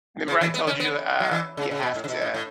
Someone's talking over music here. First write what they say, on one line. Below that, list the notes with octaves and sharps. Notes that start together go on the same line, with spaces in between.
'Member I told you, uh, you have to
C#3
E3
B3
C#4
B3
F#3
E3
C#3
C#3
B2
A2
C#3
B2
A2
A2